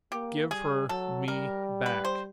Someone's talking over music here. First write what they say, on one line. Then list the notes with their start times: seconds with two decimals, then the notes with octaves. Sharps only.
"Give her me back."
0.12 A#3 G4
0.50 G3 G#4
0.89 F#3 A4
1.28 G3 A#4
1.86 B4
2.05 C5